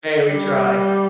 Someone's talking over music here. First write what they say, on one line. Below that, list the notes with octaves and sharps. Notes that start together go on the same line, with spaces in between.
hey, we try.
G3